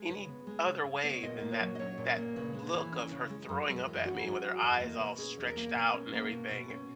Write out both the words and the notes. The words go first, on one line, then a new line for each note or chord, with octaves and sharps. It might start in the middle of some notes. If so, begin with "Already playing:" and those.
any th other way than that that look of her throwing up at me with her eyes all stretched out and everything, and,
Already playing: G#3
C#3 B4
B3
G#3
C#3
C#3
B3
C#5
A#2 D#5
A#3
C#5
F#3
D#5
C#4 C#5
A#2
A#3
C#3 B4
G#3
E3
C#4
C#3
G#3
F#2
G#3
E3
C#4 F#4
G#4
F#2
F#4
G#3
E2 D#5
A#3 D#5
B2 B4
C#4 G#4
E2
A#4
A#3
B2
C#4
A#3
B2
B2
C#4